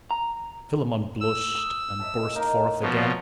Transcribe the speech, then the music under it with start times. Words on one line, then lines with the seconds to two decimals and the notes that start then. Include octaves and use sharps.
Philammon blushed and burst forth again.
0.11 A#5
1.20 E6
1.55 D#6
1.99 D#5 E5 A5
2.35 A#3 D#4 A#4
2.82 B2 F3 C#5